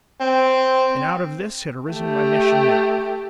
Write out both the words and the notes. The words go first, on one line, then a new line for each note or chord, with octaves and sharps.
And out of this had arisen my mission now.
C4
A3 G4